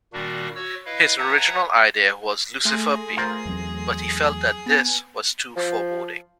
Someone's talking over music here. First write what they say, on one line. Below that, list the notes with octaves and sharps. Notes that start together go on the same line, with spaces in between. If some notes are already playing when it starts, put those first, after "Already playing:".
His original idea was Lucifer Payne, but he felt that this was too foreboding.
A#2 D#3 G3 A#3 D4 F#4
F#4 C#5 E6
E4 B4 D#5 F5
B4 C#5 E5 F#5 A5 A#5
A3 G#4 C6 A#6
F4 A#4 C5
E2 F#3 C4
B3 G#5
F3